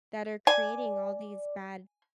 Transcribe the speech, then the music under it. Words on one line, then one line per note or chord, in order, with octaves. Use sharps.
that are creating all these bad
D5 G#5